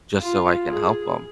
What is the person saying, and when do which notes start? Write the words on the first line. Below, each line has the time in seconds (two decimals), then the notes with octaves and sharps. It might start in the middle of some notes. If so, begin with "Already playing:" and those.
just so I can help 'em.
0.20 F4
0.69 G#4